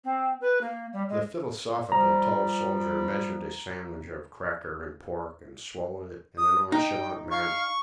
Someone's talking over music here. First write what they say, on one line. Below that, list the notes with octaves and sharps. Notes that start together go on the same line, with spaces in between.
The philosophical tall soldier measured a sandwich of cracker and pork and swallowed it in a nonchalant manner.
C4
B4
A#3
G3
G#3
F3 G3 A#5
D#6
D#4 G5
F5 C#6